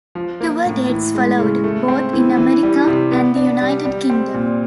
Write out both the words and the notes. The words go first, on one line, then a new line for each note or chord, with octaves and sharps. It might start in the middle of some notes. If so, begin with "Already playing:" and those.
Tour dates followed, both in America and the United Kingdom.
F3
A#3
A2
E3
G#3
C#3
A3
C4
E3
E3
G3
C3
B3
D4
G3
G3
C4
A#2